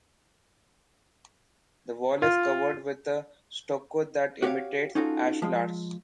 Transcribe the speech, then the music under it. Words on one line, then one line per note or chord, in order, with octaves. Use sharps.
The wall is covered with a stucco that imitates ashlars.
F4
F#4 G4 C#5 F5
C#4 D#4 F4 F#4 A4
F3 G#3